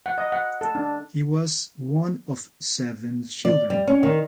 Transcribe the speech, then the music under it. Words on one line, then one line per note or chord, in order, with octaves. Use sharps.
He was one of seven children.
F#5
D#5
F#5
A4
D4
D5
G3
C#4
D#3